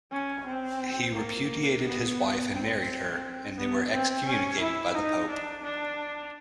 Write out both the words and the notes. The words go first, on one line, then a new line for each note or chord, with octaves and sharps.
He repudiated his wife and married her, and they were excommunicated by the Pope.
C#4
C4
A#3
B3
C4
B3
C4
C#4
E4
D#4
D4
D4